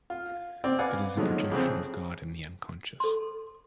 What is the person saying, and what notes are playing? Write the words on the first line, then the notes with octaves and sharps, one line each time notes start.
It is a projection of God in the unconscious.
F4
C4 D5
B4 D5 F5 F#5 G#5
D3 D#3 F3 F#3 G#3
F2 C#3 C4
A4 C6